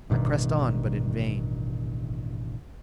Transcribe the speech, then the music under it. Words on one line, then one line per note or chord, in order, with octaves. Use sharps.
I pressed on, but in vain.
A1 G2 B2 D#3